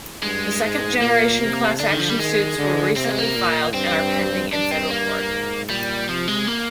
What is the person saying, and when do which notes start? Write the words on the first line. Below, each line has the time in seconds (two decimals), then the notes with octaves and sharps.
The second generation class-action suits were recently filed and are pending in Federal Court.
0.23 G2 G#3
0.62 G#2
1.02 A#2 A#3
1.40 C3
1.79 D3 D4
1.89 D#3
2.00 F3
2.09 G3
2.19 D#3 G#3
2.58 D3
2.96 C3 C4
3.05 A#3
3.12 G#3
3.18 A#3
3.36 A#2
3.74 G2 C4
4.52 G2 D4
4.72 C4
4.91 A#3
5.31 G#2
5.69 A#2 G3
6.09 C3 F3
6.28 G#3
6.47 A#3